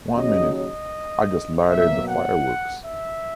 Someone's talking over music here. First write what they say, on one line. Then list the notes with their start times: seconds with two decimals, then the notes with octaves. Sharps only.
One minute. I just lighted the fireworks.
0.15 D#2 C#3 F#3 C#4 D#5
0.53 D#5
1.69 B2 F#3 A#3 E5
2.07 F#5
2.84 E5